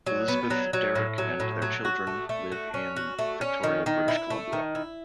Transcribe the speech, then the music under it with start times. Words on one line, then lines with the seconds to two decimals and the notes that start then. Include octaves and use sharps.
Elizabeth, Deryk and their children live in Victoria, British Columbia.
0.06 F#3
0.28 B3
0.50 F#3
0.73 F#3
0.96 A2
1.18 F#3
1.40 A2
1.62 F#3
1.85 F#4
2.07 A3
2.29 A3
2.52 F#4
2.74 C#4
2.96 F#4
3.19 A3
3.41 C#4
3.64 D#3
3.86 D#3
4.08 E4
4.30 A3
4.53 D#3
4.75 E4